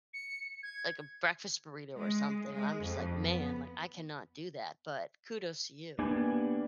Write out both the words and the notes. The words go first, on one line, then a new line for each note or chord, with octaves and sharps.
like a breakfast burrito or something, and I'm just, like, "Man," like, "I cannot do that, but kudos to you."
C#7
G#6
G#3
G#3
F2
B3
A#3 B3 D4 G4 B4 G#5